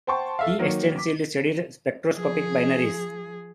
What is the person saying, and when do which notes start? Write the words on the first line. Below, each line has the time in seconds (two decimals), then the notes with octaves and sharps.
He extensively studied spectroscopic binaries.
0.07 C5 F#5 G5 A5 C6 C#6
0.39 A4 E5 F5
0.59 D#3 F#3 A#3
0.96 D6 B6
2.14 F3 G#4